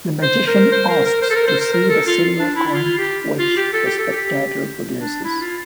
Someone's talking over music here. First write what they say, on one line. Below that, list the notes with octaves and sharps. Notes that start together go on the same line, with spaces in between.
The magician asks to see the silver coin which the spectator produces.
C5
A#4
C5
A#4
A#4
C5
A4
A#4
C5
A#4
A#4
A4
F4
D4
E4
E4
F4
G4
F4
G4
A4
G4
A4
G4
D4
E4
F4